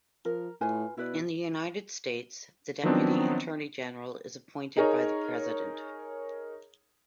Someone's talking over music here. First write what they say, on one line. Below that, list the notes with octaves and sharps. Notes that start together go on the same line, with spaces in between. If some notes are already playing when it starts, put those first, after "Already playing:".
In the United States, the Deputy Attorney General is appointed by the President.
F3 A#4
A2 F4 B4 G#5
B2 E4 B4 D5
D#3 F3 F#3 B3 C4 D4
D#4 G#4 A#4 C#5